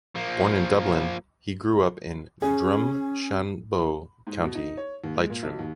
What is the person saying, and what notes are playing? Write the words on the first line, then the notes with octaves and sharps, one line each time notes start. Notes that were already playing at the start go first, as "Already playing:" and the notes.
Born in Dublin, he grew up in Drumshanbo, County Leitrim.
F3 A#3
C#4 G#4
G#2
B2
D#4
C#5
D#2
G#3
A#2
B1
D#2